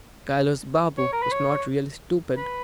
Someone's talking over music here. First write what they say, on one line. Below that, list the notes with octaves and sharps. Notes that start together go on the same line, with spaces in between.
Kailas Babu was not really stupid.
C#5
A#4
B4
C#5
B4